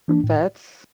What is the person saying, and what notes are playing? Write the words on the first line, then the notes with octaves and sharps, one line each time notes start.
Um, vets?
E3 A#3 D4
A2